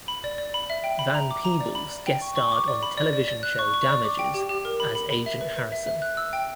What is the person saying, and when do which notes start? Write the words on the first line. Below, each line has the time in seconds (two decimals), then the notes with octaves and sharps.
Van Peebles guest-starred on the television show "Damages", as Agent Harrison.
0.08 B5
0.24 D5
0.38 D5
0.54 B5
0.70 E5
0.84 G5
0.99 B5
1.14 A#5
1.31 D6
1.45 A#5
1.61 D5
1.75 B5
1.92 D5
2.07 G5
2.22 C#6
2.36 C#6
2.52 D6
2.68 D5
2.83 B5
2.97 D5
3.13 D5
3.28 D5
3.43 F#6
3.59 C#6
3.74 C#6
3.89 D5
4.05 D6
4.19 G5
4.34 G4
4.49 G4
4.65 A#4
4.80 B5
4.95 B5
5.11 B5
5.26 E5
5.41 B4
5.56 B4
5.72 E5
5.87 E5
6.02 F#6
6.17 E6
6.33 G5